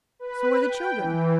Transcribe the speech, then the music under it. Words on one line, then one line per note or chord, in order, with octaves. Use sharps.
So are the children.
B4
G5
E3